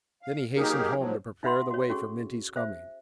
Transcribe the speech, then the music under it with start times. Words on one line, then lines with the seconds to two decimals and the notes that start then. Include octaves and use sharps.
Then he hastened home to prepare the way for Minty's coming.
0.22 F5
0.57 F#3 A#3 D#4 G4 G#4 A#4
0.97 G#2 F3 F#3
1.43 D#4 E5 F#5 B5 C6
1.71 F#4 C#5
1.89 C#4 F#4 G#4 A4 C#6
2.56 C5 E5